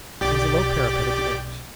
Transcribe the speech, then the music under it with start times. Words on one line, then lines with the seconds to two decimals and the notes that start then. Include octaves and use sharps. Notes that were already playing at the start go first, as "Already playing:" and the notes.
There was a low parapet at the edge.
0.21 B1 G4 D5 D6